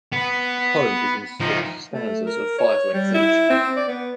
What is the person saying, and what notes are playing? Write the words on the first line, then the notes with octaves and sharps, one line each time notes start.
The poem is in six stanzas of five lines each.
B3
F3 D#4
A3
A#4
C#5
G3
E4
C4
D5
B3